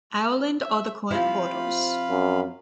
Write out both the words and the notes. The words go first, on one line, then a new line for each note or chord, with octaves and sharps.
Ireland are the current holders.
E5
C3 F3 E4 F4 F5 B5
F#2